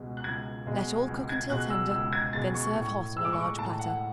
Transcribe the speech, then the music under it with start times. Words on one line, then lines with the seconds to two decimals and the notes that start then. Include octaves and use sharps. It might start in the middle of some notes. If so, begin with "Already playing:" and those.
Let all cook until tender; then serve hot on a large platter.
Already playing: C#2 B2 G#3
0.17 F#6
0.24 C#2 G#6
0.66 B2 G#3
1.08 C#2
1.29 G#6
1.49 B2 G#3 F#6
1.70 E6
1.91 C#2 E6
2.13 G#6
2.33 B2 G#3 A6
2.55 C#6
2.75 A2 C#6
3.17 G#3 E6
3.25 D6
3.33 C#6
3.41 D6
3.59 A2 A5
3.79 F#5